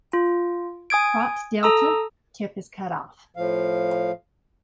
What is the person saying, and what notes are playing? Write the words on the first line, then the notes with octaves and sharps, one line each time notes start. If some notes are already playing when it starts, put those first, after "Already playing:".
Cropped delta - tip is cut off.
F4
G#5 D#6 G#6 D7
A4 A#5 D#6 E6
A2 F3 F5